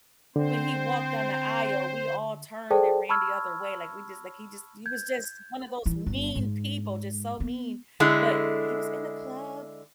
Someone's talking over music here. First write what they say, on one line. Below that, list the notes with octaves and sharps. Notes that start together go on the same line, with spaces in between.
when he walked on the aisle, we all turned and ran the other way, like, we just like he just he was just one of those mean people, just so mean, but, he was in the club,
D3 C4 C5
G#4 A4 C5 D5 G5 A5
A5 B5 C#6 E6 F6 G#6
G6 G#6
E3 E4
G1
G#2
B3
D3 G#3 E4